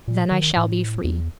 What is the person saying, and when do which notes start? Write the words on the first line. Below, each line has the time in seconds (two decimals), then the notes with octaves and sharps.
'Then I shall be free.'
0.08 A#2
0.31 D#3
0.57 A2
1.04 E2